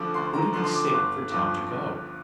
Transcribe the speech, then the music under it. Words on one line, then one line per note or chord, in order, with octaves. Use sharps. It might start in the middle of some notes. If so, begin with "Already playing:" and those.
Would it be safe for Tom to go?
Already playing: D2 D3 F3 D6
D2 C6
A#5
D3 F3 C6
C6
D6
D6
G1 C6
G2 F3 D6
G1